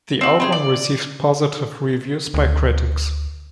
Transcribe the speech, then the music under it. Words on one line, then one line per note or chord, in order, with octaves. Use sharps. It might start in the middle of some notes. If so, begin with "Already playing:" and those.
The album received positive reviews by critics.
C4 F#4
C4 D#4 G#4
D5
D2